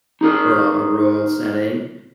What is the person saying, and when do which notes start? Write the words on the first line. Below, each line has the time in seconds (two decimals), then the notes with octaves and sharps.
ru a rural setting,
0.21 D#4 G#4 A#4